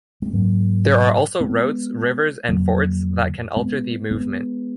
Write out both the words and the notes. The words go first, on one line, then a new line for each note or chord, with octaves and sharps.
There are also roads, rivers, and fords that can alter the movement.
G#3
G#2 F#3 A#3
G#3 B3
F2 D3 F#3 A#3
G#3 B3
G#3 B3